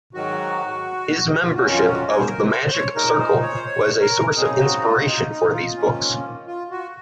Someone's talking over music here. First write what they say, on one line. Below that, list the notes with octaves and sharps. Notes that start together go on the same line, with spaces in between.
His membership of The Magic Circle was a source of inspiration for these books.
G#2 D#3 F#3 F#4
F4
F2 D#3 F#3 C#4 F#4
F4
F#4
G#4
C5
A#4
C5
C5
C#5
A#2 G#3 D#4 A#4
C5
C#5
C5
C#5
A#4
C#3 F#3 C4 D#4 G#4
F#4
F4
D#4
D#4
F4
G#2 D#3 A#3 C#4
F4
F#4